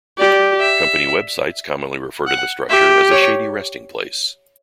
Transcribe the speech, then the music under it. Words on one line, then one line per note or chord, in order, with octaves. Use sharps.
Company websites commonly refer to the structure as a "shady resting place".
G4 D5
E5
F#5
G4 E5
C#5